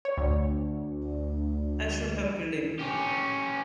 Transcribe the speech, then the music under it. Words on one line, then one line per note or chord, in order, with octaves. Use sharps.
I should have killed him!
C#5
D2
C#4 G4